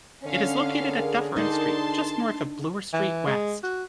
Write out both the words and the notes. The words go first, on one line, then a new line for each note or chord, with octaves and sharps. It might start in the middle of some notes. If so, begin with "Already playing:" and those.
It is located at Dufferin Street just north of Bloor Street West.
D3 C#4 F5
G#4 A#4
D4 D#4 A5 C6
E3
G#3
F#4